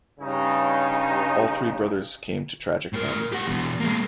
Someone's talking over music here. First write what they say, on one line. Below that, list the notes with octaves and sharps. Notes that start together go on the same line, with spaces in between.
All three brothers came to tragic ends.
G2 C#3 D#4
A2 A#4
G4 F#5
E2 B2
G#3 A#3